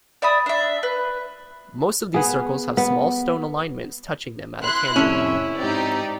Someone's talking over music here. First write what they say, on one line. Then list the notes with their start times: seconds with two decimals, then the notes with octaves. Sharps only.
Most of these circles have small stone alignments touching them at a tangent.
0.22 D5 E5 B5 D#6
0.46 D4 E5
0.83 B4
2.14 B3 G#4
2.77 B3
4.62 E4 C6 F#6
4.96 F2 A2 C3 C#4 E4 E5
5.59 G#2 C4 D#4 G4 D5